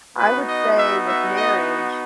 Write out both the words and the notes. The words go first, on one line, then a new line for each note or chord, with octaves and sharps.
I would say with marriage,
B3 D#4 F#4 B4
D#5
E5
E5
D#5